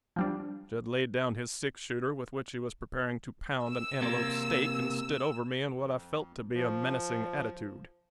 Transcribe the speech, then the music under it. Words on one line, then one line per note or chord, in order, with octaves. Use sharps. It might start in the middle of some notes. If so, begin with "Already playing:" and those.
Jud laid down his six-shooter, with which he was preparing to pound an antelope steak, and stood over me in what I felt to be a menacing attitude.
F3 G3 D4
E6
C3 A#3
F2
F3